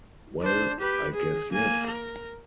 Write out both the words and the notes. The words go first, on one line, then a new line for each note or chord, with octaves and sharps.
Well, I guess yes!
D4 C5
G4 B4
G#4
A#3 G#5
A#4